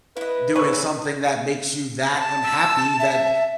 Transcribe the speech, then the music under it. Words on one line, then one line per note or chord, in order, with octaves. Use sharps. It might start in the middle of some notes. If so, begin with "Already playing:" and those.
doing something that makes you that unhappy, that
E4 B4 D#5
F2 A#2 C#3 B4 C#5 E6
A5
E6
E5